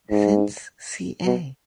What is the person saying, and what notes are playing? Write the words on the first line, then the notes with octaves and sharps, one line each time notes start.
Since ca.
G#2
B2